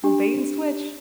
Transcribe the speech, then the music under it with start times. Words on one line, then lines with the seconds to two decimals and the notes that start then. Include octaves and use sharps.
old bait and switch.
0.04 D4 G4